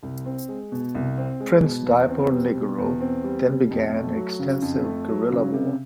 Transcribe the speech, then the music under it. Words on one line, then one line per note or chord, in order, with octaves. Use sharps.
Prince Diponegoro then began an extensive guerrilla war.
C2
C4
G#3
B2
C2
C4
G#3
B2
E2
C4
G3
B2
E2
C4
G3
B2
F2
A3
F#3
C#3
F2
A3
F#3
C#3
C3